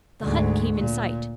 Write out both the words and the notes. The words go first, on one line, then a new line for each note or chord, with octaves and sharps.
The hut came in sight.
D2 G#2
A#2